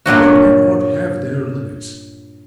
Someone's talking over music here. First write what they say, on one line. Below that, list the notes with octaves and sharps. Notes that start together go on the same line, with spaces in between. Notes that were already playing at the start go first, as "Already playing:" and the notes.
Wit and art have their limits.
G2 A#2 F#3 F#4